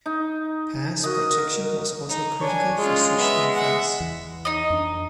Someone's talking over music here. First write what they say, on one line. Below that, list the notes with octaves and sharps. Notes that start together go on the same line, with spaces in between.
Pass protection was also critical for such an offense.
D#4
F#4 A#4 D#5
D#4
D4 C#5 G#5
G#3 C#4 F4
B3 E5
E5 F#5
E2 E3
D#4 D#5
F2 D4